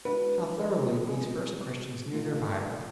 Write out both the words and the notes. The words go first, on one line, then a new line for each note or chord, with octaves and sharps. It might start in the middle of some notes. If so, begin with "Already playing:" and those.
How thoroughly these first Christians knew their Bible!
G#3 D4 F#4 B4
A4
G#3 B3 F#4 G#4
A3 F4